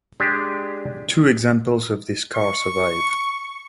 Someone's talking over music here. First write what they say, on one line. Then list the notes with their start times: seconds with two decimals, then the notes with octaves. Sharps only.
Two examples of this car survive.
0.20 G#3 D4 G4 G#5
2.35 C#6